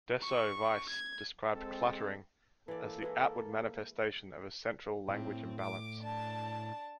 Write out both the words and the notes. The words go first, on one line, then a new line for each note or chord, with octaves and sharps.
Deso Weiss described cluttering as the outward manifestation of a central language imbalance.
C#6
G#6
G#3 C4 A4
E3 A#3 A4 D5
E3 G#3 E4
A2 C4
D6
D4 A5